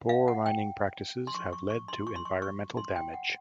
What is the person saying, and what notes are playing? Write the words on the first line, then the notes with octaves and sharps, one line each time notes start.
Poor mining practices have led to environmental damage.
F5
F#5
G5
C6
C#6
C#6
C#6
C6
C#6
C6
C#6
C#6
C6
G5
F#5